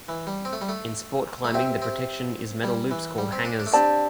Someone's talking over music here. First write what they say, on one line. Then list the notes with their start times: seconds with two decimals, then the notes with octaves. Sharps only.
In sport climbing the protection is metal loops called hangers.
0.09 E3
0.27 G3
0.45 C4
0.53 A3
0.61 G3
0.69 A3
1.44 A3
1.54 C4 G4 E5 G5
1.82 C4
2.64 G3
2.91 E3
3.18 G3
3.32 C4
3.45 D4
3.60 D4
3.66 A3
3.72 C4 D4 G4 D5 A5